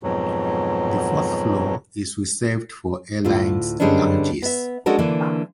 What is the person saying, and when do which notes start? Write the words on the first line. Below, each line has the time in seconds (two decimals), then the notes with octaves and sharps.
The fourth floor is reserved for airlines' lounges.
0.03 F2 G#2 B2 F#3
3.24 D2 A2 F4
3.80 G2 D3 G3 G#3 C#4 D4
4.42 B3 E5
4.86 G#3 C#4 D4 F#4 A4 A#4
4.99 D3 E3 A#3 D4